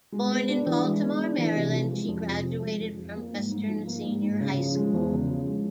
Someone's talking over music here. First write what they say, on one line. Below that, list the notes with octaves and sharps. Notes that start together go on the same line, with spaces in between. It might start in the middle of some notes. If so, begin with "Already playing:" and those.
Born in Baltimore, Maryland, she graduated from Western Senior High School.
G#3
B3
D4
E3
G#3
B3
D4
E3
C3
F3
G#3
F2
C3
F3
G#3
F2
F3
A#3
G#2
G#2
F3
A#3
G#2
G#2
C#3
F3
G#3
E2
C#3
F3
G#3